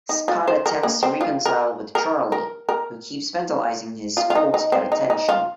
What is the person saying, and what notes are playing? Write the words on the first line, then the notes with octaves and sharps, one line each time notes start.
Scott attempts to reconcile with Charlie, who keeps vandalizing his school to get attention.
D#4
F4
C5
A#4
A#3
C4
F4
A#4
A#4
A#4
A#4
F4
F4
D#4
D#4
C4
D#4
D#4
F4